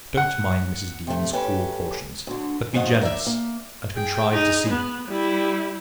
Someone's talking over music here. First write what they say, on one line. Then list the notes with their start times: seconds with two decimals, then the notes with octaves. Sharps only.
Don't mind Mrs. Dean's cruel cautions; but be generous, and contrive to see him.
0.17 F#5
1.07 C3 A3
1.33 C#4 G4 A4 B4
2.27 D2 D3
2.73 D2 G#2 D#3 F3 D#5 F#5
3.01 A#4 D5 E5
3.26 A#3
3.95 G#4 G5
4.33 D#4 G#4
4.70 B3
5.08 G3 E4